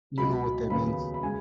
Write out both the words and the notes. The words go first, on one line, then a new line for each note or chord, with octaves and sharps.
You know what that means.
C#2 B2 F#3 B5
D#2 C#3 F#3 B3 B5
B5
C#3 G#3 G#5